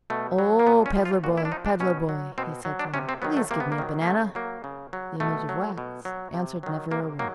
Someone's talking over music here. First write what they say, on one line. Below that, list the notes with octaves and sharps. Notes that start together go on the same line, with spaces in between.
"O, peddler boy, peddler boy," he said to him, "please give me a banana." The image of wax answered never a word.
B2 A3
F#3
A#3
A#2 B3
C#4
F3
F4
A#2 F#4
E4
D4
F3 D#4
D4
B2 C#4
F#3
B2 C4
F#3
D4
C3 C#4
C4
D#3 F#3 B3
A3
C3 A#3
B3
A#3
D#3 F#3
A#3
C#3 A3
F#3 A#3
C#3
F#3
B2 A3
F#3
B2
F#3
C3
D#3 F#3
C3 A#3
D#3 F#3 A#3